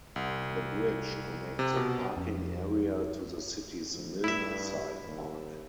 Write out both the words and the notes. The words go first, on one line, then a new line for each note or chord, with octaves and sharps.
The bridge connects a parking area to the city's Mill Site Park.
C2
C3
B2
F2 C#4
F2
G2 E4 E5
D#2